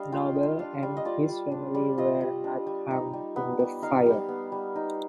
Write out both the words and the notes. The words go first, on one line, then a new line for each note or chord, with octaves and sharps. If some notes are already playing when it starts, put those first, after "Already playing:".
Noble and his family were not harmed in the fire.
Already playing: G3 D4 D#5 F5
F4 G5
G3
D4 F5
G3
D#5
F4 D5
G3
D4
G3
F4 D#5
G3
D4
G3
D#4
G3
B3
G3
D#4 F5
G3
B3
G3
D#4